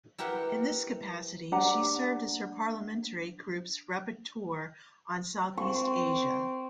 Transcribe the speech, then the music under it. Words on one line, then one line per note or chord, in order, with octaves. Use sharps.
In this capacity, she served as her parliamentary group's rapporteur on Southeast Asia.
E4 G4 A#4 B4 F#5
D4 G4 F#5 A#5
C4 C#6